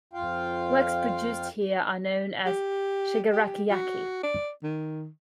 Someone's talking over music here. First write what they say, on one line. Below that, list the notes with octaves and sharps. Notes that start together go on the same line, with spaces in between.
Works produced here are known as Shigaraki-yaki.
F2 F4 F5 G5
G4
G4
F#4
D5
D#3